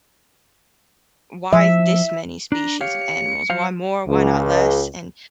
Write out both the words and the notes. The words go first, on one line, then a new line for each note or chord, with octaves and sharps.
why this many species of animals, why more, why not less," and
F3 E5
D4 A#5
G4 C#5 F5 C#7
F#3 C5 F5
C#2